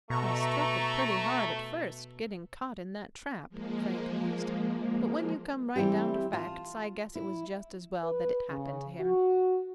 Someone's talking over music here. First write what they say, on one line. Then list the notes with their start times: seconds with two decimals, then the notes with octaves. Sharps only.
"He struck it pretty hard at first, getting caught in that trap," Frank mused; "but when you come right down to facts I guess it was just as well that it happened to him."
0.10 B2 A3 A#5 C#6
3.49 F3 G#3 A#3
5.76 E3 G3 C4 E4 G4
6.33 F4 A5
7.15 E4
8.04 B4
8.49 C#3
9.00 F#4